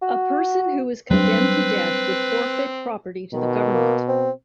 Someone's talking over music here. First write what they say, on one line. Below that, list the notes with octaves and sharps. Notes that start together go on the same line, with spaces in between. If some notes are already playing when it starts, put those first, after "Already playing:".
A person who was condemned to death would forfeit property to the government.
F#4
F#3 G3 C4 D4 B4
B2 D#3
A#3
C4